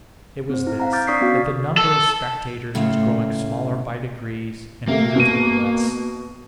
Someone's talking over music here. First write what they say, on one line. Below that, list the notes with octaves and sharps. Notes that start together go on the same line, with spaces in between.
It was this--that the number of spectators was growing smaller by degrees and beautifully less.
C4 C5
E4
F5 F#5 A#5
D6 F6 G6 A6
D4 D5 C#6 D#6 B6 C7
B3 C#4 F#4 F5
A4
A2 C#3 A3 F4
C3 A3 A#3
B2 D#7